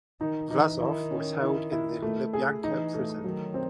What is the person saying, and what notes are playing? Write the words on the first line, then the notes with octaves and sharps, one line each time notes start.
Vlasov was held in the Lubyanka prison.
D#3 D#4
E3 D#4
D#3 E4
C#4
E4
E4
A3
G#4
E3 D#4
A3
D#3 F#3
C4